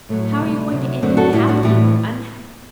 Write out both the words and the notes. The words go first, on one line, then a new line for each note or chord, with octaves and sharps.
"How are you going to end it--happily or unhappily?"
A2 F#3 A3
A3
D2 C3 G3
D2 C3 F#3
F#2 D3 F#3 A3 C4
F#4 A4
A2 G3 E4 G4
D4 F#4
A2 E3 G3 E4 G4